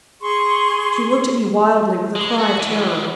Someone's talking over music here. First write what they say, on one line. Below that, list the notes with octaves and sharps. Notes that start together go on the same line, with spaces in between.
She looked at me wildly, with a cry of terror.
G#4 C6 C#6
G#3
F#4
E3 F#3